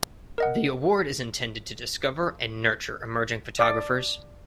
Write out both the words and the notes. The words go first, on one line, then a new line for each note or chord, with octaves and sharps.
The award is intended to discover and nurture emerging photographers.
A#4 D#5 F#5
D5